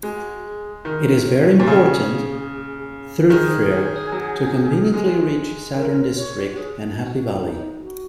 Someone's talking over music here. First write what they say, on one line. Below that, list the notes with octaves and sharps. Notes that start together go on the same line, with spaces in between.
It is a very important thoroughfare to conveniently reach Southern District and Happy Valley.
G#3 F#4
G#4
D#3 A#4
C#5
A#2
C#3 G#4
D#3 G#4
F#3
G#3
A#4
C#5
F#4
G#4
F#4
F#4
D#4
F#4